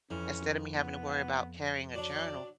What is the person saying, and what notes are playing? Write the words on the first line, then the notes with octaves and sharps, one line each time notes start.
instead of me having to worry about carrying a journal,
F2 E3 C#4
B3
F#3 D4 D5